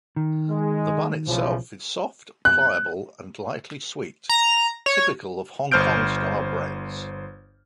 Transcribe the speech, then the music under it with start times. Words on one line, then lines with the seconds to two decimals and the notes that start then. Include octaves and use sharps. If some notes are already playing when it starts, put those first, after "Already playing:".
The bun itself is soft, pliable and lightly sweet, typical of Hong Kong-style breads.
0.16 D#3
0.48 G#3
1.27 B1 C#3 E3 F3
2.45 F#6
4.29 A#5
4.86 C#5
5.71 G1 C5 F6 G6 D7